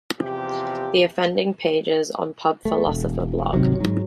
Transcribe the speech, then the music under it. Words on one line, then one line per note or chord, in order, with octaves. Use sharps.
The offending pages on Pub Philosopher blog.
E2 C3 F3 G4
A3
E1
G#1 C3 D#3 F#3
G#2 F#3